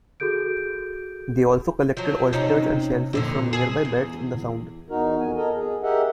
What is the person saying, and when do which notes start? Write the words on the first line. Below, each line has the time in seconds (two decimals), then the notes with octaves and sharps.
They also collected oysters and shellfish from nearby beds in the Sound.
0.20 F#4 G#4 A4 G6 D7
1.97 F3 F#3
2.33 C3 C#4 D#4
3.13 F2 A#2 D3
3.53 G#4
3.85 E2
4.89 E2 D#4 F#4 A#4
5.20 F2 G#5
5.36 A4 A#4 D#5
5.55 G#4
5.83 G4 G#4 A#4 D#5 E5 F#5